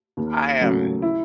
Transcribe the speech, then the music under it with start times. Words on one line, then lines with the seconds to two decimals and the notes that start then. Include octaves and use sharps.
I am
0.17 D#2
0.60 C#3 F#3 A3
1.02 E4